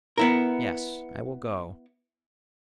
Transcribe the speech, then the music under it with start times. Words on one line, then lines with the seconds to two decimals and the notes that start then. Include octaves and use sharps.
Yes, I will go.
0.18 B3 E4 A#4